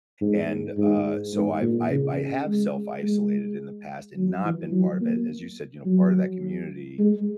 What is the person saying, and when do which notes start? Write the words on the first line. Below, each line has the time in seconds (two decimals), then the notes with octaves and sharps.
and, uh, so, I've I I have self-isolated in the past and not been part of it as you said, you know, part of that community,
0.21 G#2
0.77 G#2
1.34 G#2
1.61 A#2
1.90 C#3
2.47 G#3
3.03 G#3
4.16 F#3
4.44 E3
4.72 F#3
5.01 A#3
5.85 F#3
6.99 G#3